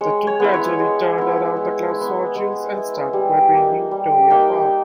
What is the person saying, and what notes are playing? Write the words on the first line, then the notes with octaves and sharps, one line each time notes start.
The two gradually turned around the club's fortunes, and started by painting Victoria Park.
G#3 C#5
C#5
B3 E4
C#5
G#3
B3 E4
G#3
E4
B3
G#3 B4
B3 E4
G3
A#3 D#4
G3
A#3 D#4 G5